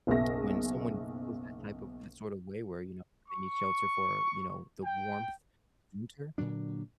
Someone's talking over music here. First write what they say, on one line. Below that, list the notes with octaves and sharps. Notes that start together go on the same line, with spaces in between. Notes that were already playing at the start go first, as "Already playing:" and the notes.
when someone goes that type of that sort of way where, you know, they need shelter for, you know, the warmth of winter,
F#1 B1 G#4 E5 A#6
C#6
G5
A#2 D3 F#3 D4